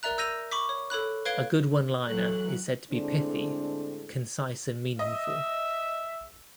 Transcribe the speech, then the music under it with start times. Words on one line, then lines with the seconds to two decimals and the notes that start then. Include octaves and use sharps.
A good one-liner is said to be pithy - concise and meaningful.
0.03 A#4 D5 E5 A#5 F#6
0.18 E6 G6 A#6 D#7 F7
0.51 B5 C#6 D6 B6
0.69 C#5
0.90 A4 C#5 B5 F#6
1.25 B4 C#5 F5 G#6 D7 G7
2.06 E3 F#3 A4 F#6
2.91 A2 D3 G#3 C4 D4
4.99 D#5 E5